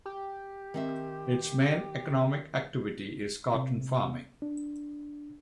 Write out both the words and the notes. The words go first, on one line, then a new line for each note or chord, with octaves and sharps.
Its main economic activity is cotton farming.
G4
D#3 C4 E5
C3
D4